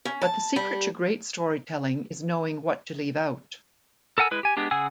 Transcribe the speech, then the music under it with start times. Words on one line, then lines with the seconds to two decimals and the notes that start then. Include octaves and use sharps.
But the secret to great storytelling is knowing what to leave out.
0.05 C#4
0.21 A5
0.56 G3
4.18 A4 A#4 F#5 G#5 E6
4.31 G#3 E4 B4
4.43 G4 G#5
4.57 G#3 B3 D4 G4
4.71 C#3 G#4 F#5 G#5 E6